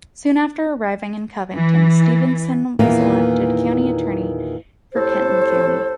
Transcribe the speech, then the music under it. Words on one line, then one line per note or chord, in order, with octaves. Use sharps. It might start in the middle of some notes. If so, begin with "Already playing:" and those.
Soon after arriving in Covington, Stevenson was elected county attorney for Kenton County.
E3
E2 A#2 D#3 E3 A#3
A2 C3 A4 C5